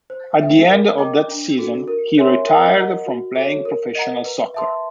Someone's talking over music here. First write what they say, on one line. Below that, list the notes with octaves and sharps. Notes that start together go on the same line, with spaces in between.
At the end of that season, he retired from playing professional soccer.
C5
E5 G5
A#4
D#5 G5 A#5 D6
D4
F#4 A4
A#4
C#5 E5 G#5 C6
A#4
D#5 F#5 A#5
F#4
A4 C#5
A#4
D#5 F#5 A#5
B4
E5 A5 C6